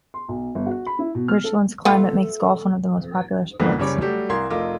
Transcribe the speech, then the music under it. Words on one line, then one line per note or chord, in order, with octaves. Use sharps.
Richland's climate makes golf one of the most popular sports.
C6
B1
G1
F#4
B5
E4
B2
F6
A4
A3 B3 F4 A4
C2 F2 G#2 D3 A#3 B3
F#1 C#3 G3 C#5 D6
F#3 G3 A3 F#4 G4
C2 A#4 F5 C6 G#6
F1 A3 F4 A#4 D#5 D6